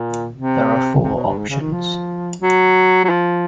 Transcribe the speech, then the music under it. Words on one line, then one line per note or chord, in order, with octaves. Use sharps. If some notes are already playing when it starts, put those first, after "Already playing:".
There are four options.
Already playing: A#2
C3
C3
B2
G2
G#2
C#3
D#3
F3
F#3
F#3
F3